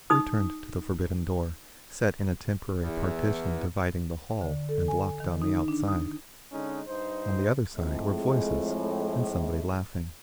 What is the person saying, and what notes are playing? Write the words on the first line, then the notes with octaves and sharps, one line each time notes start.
We turned to the forbidden door, set in a temporary partition dividing the hall and locked on the outside. On the other side were voices, and somebody laughing.
D#4 D#6
E2
D3
A4
G#5
D#3
D#4
D4
D#6
D3 G#3 C#4 D#4
G2 D#4 C5
F2 A2 G#3